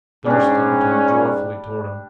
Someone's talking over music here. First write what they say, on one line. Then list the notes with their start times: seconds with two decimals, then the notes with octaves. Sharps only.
Thurston turned joyfully toward him.
0.26 G#2 G3 C#4 D4